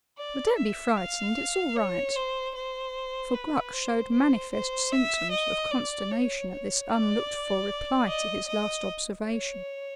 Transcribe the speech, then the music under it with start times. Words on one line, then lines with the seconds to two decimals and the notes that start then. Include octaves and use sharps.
"But don't be frightened; it's all right"--for Gluck showed manifest symptoms of consternation at this unlooked-for reply to his last observation.
0.18 D5
0.57 E5
0.97 F5
1.76 C#5
2.16 C5
2.55 C5
3.34 B4
3.73 C5
4.12 C5
4.53 C5
4.92 E5
5.31 D#5
5.71 D5
6.11 C#5
6.51 C#5
6.89 D5
8.08 D#5
8.48 D#5
9.27 C#5